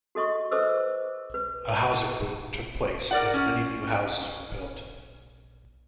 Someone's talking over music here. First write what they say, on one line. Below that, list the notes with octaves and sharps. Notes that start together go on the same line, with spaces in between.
A housing boom took place as many new houses were built.
F#4 A4 D#5 C6 C#6
A4 B4 C5 D#5 D6 E6
B4
A#4 D5 F#5
C#4